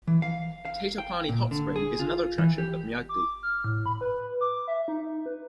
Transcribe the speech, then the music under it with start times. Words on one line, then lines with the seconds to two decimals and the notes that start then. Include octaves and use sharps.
Tatopani Hot Spring is another attraction of Myagdi.
0.07 E3
0.22 F5
0.65 F5
0.98 G5
1.29 A#2
1.51 D3
1.76 G#4
2.00 F4
2.38 E3
2.58 G4
3.09 D6
3.43 F6
3.64 A2
3.86 B5
4.01 B4
4.41 D6
4.68 E5
4.88 D#4
5.26 B4